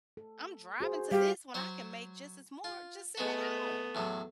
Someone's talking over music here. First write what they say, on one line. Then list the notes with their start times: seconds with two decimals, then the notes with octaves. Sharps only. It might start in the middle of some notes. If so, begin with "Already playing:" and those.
"I'm driving to this when I can make just as more just sitting at home."
0.17 A4
0.80 F#4 G#4 C5
1.11 G3 G4 F5
1.54 F#3 C5 C#5
2.64 F4
3.17 G#3 A3 B3 F#4
3.95 E2 A2 F#3